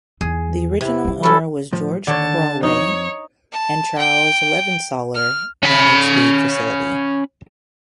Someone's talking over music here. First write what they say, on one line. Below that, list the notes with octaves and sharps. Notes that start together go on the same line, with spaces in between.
The original owner was George Crowey and Charles Levansaler managed the facility.
E2 G#4
C3 E4
G3 F4
F#3 C#4 A4 B5
A2 F3
D#2 D3 C#5 A5
F2 D#4 C#5
A5
G5
F6
C#4 B5